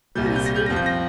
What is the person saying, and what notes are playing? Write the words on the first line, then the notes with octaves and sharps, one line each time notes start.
'Who is he?
C2 A#2 G3 G6
A#6
G6
A#6
G6
F2 F3 A#6
G6
A#6